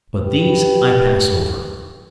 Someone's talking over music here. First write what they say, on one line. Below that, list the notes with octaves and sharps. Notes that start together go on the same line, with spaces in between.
But these I pass over.
G4 B4